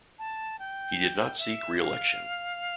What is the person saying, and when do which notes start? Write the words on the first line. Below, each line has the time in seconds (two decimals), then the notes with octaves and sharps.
He did not seek reelection.
0.19 A5
0.59 G5
1.39 E5
1.79 F5